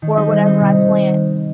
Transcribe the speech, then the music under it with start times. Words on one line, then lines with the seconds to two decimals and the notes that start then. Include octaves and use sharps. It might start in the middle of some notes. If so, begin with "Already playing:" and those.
for whatever I plant
0.02 D#3
0.16 G3 C4 D#4
0.31 D#3
0.46 G3 C4 D#4
0.61 C3
0.75 D#3 G3
0.90 C3